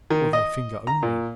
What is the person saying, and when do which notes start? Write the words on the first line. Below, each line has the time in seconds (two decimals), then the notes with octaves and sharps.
Or thy finger only!
0.10 D#3
0.33 D#5
0.87 A#5
1.03 A#2